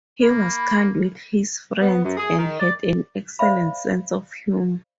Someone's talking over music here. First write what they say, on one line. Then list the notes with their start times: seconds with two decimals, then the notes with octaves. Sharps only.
He was kind with his friends and had an excellent sense of humour.
0.22 A#3 B5
1.80 B3
2.03 F#2
2.17 G#4
2.38 D#3
2.59 D5
3.39 C5 D5 E5 F5 B5